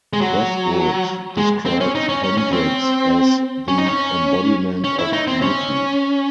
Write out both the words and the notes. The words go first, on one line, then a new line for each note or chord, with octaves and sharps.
Westwood described Hendricks as the embodiment of beauty.
G#3
F#3
G#3
C4
C#4
D#4
C#4
C#4
C#4
C4
C#4
D#4
C#4
C#4
E4
D#4
C4
C#4